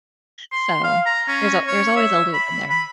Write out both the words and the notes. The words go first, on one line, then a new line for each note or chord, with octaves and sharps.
So, there's a there's always a loop in there.
C6
F5
A#5
C#4
C#5
E5
B5
B5